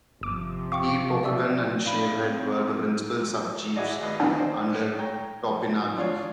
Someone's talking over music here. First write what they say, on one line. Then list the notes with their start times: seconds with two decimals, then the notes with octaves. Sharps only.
He, Pokagon, and Shavehead were the principal sub-chiefs under Topinabee.
0.21 G1 C3 F3 D6
0.72 F5 G5 C#6 D6
1.23 D5 E5 E6
1.86 D4 F5 B5
2.20 C4
3.76 E4 F#4 G#4 D5 D#5
4.02 D#2 B4 D#5
4.38 C5 D5
4.98 C#5 G5 A#5
5.97 D4 F4 C#5